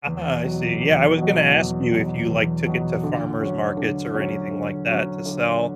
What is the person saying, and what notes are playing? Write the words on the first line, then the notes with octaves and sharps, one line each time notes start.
Ah, I see, yeah, I was gonna ask you if you, like, took it to farmer's markets or anything like that to sell.
E2
B2 F#3
E2
B2 F#3
E2
B2 F#3
E2
B2 F#3
D3
F#3 C#4
D3
F#3 C#4
D3
F#3 C#4
D3